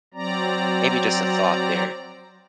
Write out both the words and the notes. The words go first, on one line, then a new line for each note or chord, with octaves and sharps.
maybe just a thought there.
F#3 C4 D5 A#5